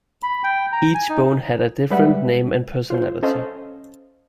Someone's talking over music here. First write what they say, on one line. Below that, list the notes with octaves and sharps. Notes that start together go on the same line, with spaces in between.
Each bone had a different name and personality.
B5
G5
A#5
G#5
D#4
G3 G#3 B4 D5 E5 F#5
F4 C5
C#4 A4 C5 D#5 F5